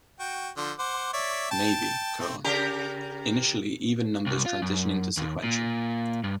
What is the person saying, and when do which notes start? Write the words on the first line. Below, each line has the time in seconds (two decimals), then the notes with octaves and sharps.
Navy: Initially even numbers transitioning to sequential.
0.20 F#4 G5
0.57 D3 F3 C5
0.79 C5 F#5 D6
1.13 C#5 D5 E5
1.51 G5 A5
2.20 A3 C4
2.44 C#3 G4 A#4
4.26 C2
4.46 F4
4.62 F#2
5.17 D#2
5.44 A#2
6.24 G2